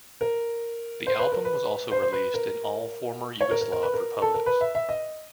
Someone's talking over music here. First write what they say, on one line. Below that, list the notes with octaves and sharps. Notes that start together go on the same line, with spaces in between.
The album was also released in all Former Yugoslav republics.
A#4
C5
B4
A#4
B4
C5
C5
B4
A#4
C#5
A#4
A#4
A#4
B4
A#4
A4
A#4
B4
E5
E5
D#5